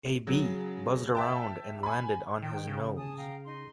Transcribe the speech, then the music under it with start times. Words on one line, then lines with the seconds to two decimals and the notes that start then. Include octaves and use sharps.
A bee buzzed around and landed on his nose.
0.27 C#3 F#3
1.15 E5 G5 A5
1.83 G#5 B5
2.42 D#3 G5
2.67 C#3
2.97 G#5 A5 D#6
3.17 F5 G5 A#5
3.45 D#4 C6